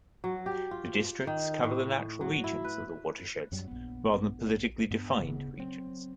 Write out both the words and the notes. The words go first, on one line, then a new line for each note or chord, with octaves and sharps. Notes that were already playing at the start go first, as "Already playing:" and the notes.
The districts cover the natural regions of the watersheds, rather than politically-defined regions.
F#3
G4
F4
D#3
A2
F#3
E4
B4
F#2 F#3 G3
A#1 B3
G2 B3
D1 C#3 B3
F#3 C4